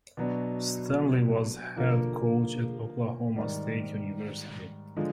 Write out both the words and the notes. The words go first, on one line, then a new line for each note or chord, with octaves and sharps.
Stanley was head coach at Oklahoma State University.
B2 F#3 B3 D4
D3 F3 A#3
G#2 D#3 G3
D3 F3 G#3